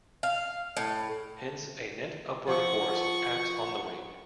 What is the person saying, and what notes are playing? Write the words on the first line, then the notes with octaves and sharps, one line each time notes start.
Hence, a net upward force acts on the wing.
F5
A2
F3 F4 F#5 C#6